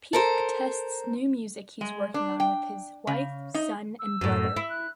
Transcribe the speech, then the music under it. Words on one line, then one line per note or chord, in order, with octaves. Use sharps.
Peake tests new music he's working on with his wife, son, and brother.
A4 A#4 C5
G#3
D4
G5
C#3
D#4
E6
F#2 A2
E4
F#6